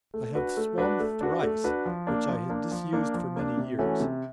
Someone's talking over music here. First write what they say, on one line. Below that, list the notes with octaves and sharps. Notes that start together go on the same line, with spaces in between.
I have swum thrice, which I had disused for many years.
A3
D4 F#4 B4
A3
D4 F#4 B4
A3
D4 F#4 B4
A3
D4 F#4 B4
F3
A#3 D4
F3
A#3 D4
F3
A#3 D4
F3
A#3 D4
C3
E3 A3 C#4 F#4
C3